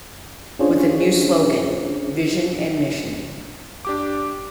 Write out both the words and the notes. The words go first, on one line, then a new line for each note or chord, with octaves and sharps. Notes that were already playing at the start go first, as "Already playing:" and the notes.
With a new slogan, Vision and Mission.
C#4 D4 F4 G#4 C5 C#5
D4 G4 D6